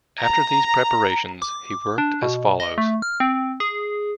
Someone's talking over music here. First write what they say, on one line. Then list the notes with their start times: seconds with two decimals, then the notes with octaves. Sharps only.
After these preparations he worked as follows.
0.23 A#5
1.42 D6
1.98 D4
2.22 B2
2.60 D#5
2.78 A3
3.02 F6
3.20 C4
3.60 G#4